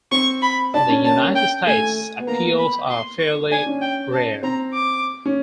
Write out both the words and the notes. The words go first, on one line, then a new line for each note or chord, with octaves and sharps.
In the United States, appeals are fairly rare.
C4 C#6
B5
D4 A5
C#4
A#3 A5
G5
A3 G#5
B3
A#3 A#5
B5
C6
C#6
D4 G#5
C#4
G5
A5
C4 A#5
D6
C#4